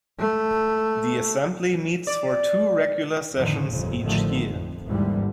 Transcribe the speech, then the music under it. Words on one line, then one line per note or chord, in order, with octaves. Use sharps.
The Assembly meets for two regular sessions each year.
A3
D5
F2 A2 D3 D#3 F3
G1 F2 A#2 C#3
A1 D3 D#3 F3 A3
F2
G#1 D#2 G#2 D3 E3 G3